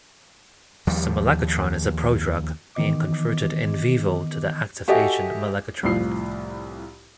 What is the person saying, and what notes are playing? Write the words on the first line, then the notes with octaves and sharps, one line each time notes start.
Ximelagatran is a prodrug, being converted "in vivo" to the active agent melagatran.
D#2 F3 G3
D#3 E3 B3 D#5 D6
F#4 G4 A4 D#5 E5 G#5
C2 A2 F3 C7